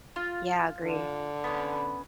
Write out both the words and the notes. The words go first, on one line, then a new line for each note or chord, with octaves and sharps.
Yeah, agree.
F4
D3
B3 C#4